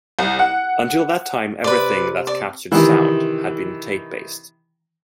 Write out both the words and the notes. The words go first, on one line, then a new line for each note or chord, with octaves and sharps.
Until that time everything that captured sound had been tape-based.
C2
F#5
C3 B4 D5
D5
C3 D#3 E3